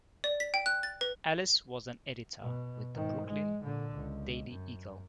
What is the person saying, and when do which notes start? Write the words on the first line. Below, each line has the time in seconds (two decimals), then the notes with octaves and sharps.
Alice was an editor with the "Brooklyn Daily Eagle".
0.24 D5
0.40 B6
0.54 G5
0.66 F#6
0.83 A6
1.01 B4
2.41 B2
2.95 G#2 D#3
3.27 G#3
3.61 A#2 D3
3.95 C#2
4.49 F#2